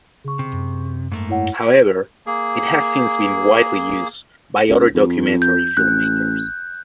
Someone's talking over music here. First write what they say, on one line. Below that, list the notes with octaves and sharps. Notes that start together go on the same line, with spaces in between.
However it has since been widely used by other documentary filmmakers.
C#3 G#4 C#6
C3
F#2
G#2 A3 A#3
E4 C#5 F#5
A#3 G#4
C#2
F2
G6
A1 F#6